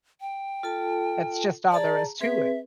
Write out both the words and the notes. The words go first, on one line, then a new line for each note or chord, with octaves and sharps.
That's just all there is to it.
G5
F4 A4 A5
G#4 D5 A5 A#5
C4 G#4 B4 E5